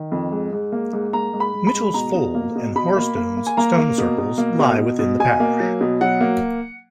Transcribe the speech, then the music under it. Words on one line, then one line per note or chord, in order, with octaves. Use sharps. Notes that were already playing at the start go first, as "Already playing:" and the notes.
Mitchell's Fold and Hoarstones stone circles lie within the parish.
Already playing: D#3
F2
G#2
G#2
A#3
G#2
A#3 A#5
G#2
B5
G#2
B5
G#2
B2 A#5
B2
A#3
B2
B2 B5
A#3
A#3
A#3
G#5
A#3 A#5
A#3
B2
B2
A#3
B2
B2
B2
B2 G#5
A#3
F#3
B2
F#3 F#5
A#3